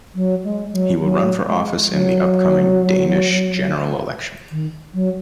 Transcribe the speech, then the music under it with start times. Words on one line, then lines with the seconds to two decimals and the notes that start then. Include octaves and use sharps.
He will run for office in the upcoming Danish general election.
0.15 F#3
0.44 G#3
0.72 F#3
1.01 F#3
1.44 G#3
1.88 F#3
4.51 D#3
4.94 F#3